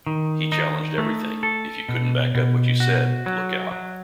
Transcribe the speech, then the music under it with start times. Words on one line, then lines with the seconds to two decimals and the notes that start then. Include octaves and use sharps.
He challenged everything, If you couldn't back up what you said, look out.
0.06 D#3
0.52 D#4
0.98 A3
1.43 A4
1.89 B2
2.35 B2
2.80 F#4
3.26 F#3
3.71 F#3